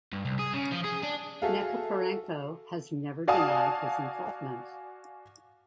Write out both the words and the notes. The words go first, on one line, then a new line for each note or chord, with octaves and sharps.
Nechiporenko has never denied his involvement.
G2
C2
G#4
C#3
F3
G#4
D4
F#4 G#4 A4 E5 F5
F#4 D5 F5 G#5 A5 D#6